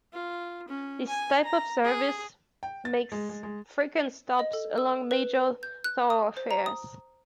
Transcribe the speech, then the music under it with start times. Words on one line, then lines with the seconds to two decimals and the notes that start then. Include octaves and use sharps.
This type of service makes frequent stops along major thoroughfares.
0.13 F4
0.68 C#4
1.08 G#5
1.44 A#5
1.84 G#4
2.63 G5
2.85 A6
3.12 G#3
3.29 G#3
3.43 G#3
4.39 D#5
4.53 A4
4.78 E6
5.11 B4
5.63 G6
5.84 F#6
6.10 D#6
6.37 C5
6.51 A#5
6.66 D#6